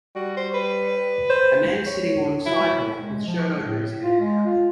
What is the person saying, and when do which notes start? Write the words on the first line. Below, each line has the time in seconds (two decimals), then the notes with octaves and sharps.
A man sitting on sidewalk with shirt over his head.
0.16 G3 F#4
0.37 C5
0.54 B4
1.30 C5
1.86 C#5
2.46 F#3 E4
2.95 G#3
3.26 F3
3.62 A2
4.01 F4
4.20 G#3
4.46 F4